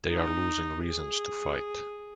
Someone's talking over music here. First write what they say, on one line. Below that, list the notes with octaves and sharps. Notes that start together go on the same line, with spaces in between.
They are losing reasons to fight.
D#4
G#4